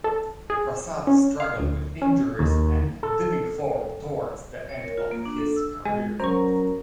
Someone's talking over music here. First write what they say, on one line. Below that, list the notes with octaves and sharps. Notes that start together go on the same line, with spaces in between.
Prasad struggled with injuries and dipping form towards the end of his career.
A4
G#4
C#4
F5
D2
C#4
D#2
A4
C#5
A#4
F4
A#3
D4
A4
E6
G#3 G#5
F#3 C#4 A#4 C5 A#5 C#6